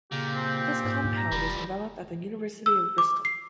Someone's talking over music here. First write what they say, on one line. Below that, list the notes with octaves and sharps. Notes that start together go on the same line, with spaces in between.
This compound was developed at the University of Bristol.
A#2 C#3 G4
C4
G#2
A#5
F1 F3 G3
E6
D6
C7